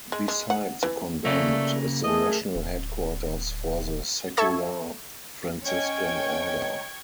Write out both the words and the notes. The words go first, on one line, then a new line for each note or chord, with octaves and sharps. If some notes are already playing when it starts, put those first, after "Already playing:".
Beside the convent is the national headquarters for the Secular Franciscan Order.
G#3
G#3
F#5
E3
C#3 A3 A#3 D5
A3 G#4 A#4 D#5
D1
A4 E5 C#6 E6 G#6
C#4 C#5 D#5 G5 C#6 G#6